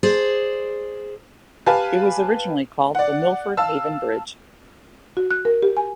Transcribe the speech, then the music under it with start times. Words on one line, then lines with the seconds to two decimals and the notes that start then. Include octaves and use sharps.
It was originally called the Milford Haven Bridge.
0.03 G#4 C5 D5
1.66 G4 B4 F5 G#5 A5
2.95 D5 F#5
3.57 F5 A5 E6
5.17 F#4
5.31 F#6
5.45 A#4
5.63 G4
5.77 G#5